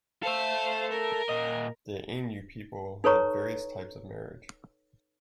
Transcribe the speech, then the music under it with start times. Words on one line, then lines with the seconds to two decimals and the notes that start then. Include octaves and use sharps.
The Ainu people had various types of marriage.
0.23 A4 C5 E5 F5
0.91 A#4
1.29 A#2 D#5
3.04 D#4 A4 B4 C#5 A#5 C#6